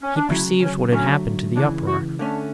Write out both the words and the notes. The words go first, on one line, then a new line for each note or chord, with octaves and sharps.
He perceived what had happened to the uproar.
C#4
D4
D2 C#3 F#3 E4
C#4
D3 F#3 A3 C#4
C#2 C#3 E3 D4
F#4
D3 A3 C#4 D4